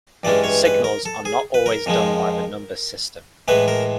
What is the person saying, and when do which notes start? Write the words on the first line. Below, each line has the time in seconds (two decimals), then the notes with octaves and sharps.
Signals are not always done by the number system.
0.23 G2 E3 G#3 C#4 D5
0.44 C#5
0.65 B4
0.84 A#4
1.05 A4
1.25 G#4
1.54 B4
1.66 A#4
1.86 F2 C#3 F3 G#3
3.48 A2 E3 G#3 B4
3.68 A#4